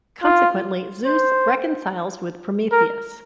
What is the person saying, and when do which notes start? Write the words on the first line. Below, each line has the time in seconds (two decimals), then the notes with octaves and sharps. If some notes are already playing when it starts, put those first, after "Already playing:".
Consequently, Zeus reconciles with Prometheus.
0.23 F4
1.06 C5
2.71 A#4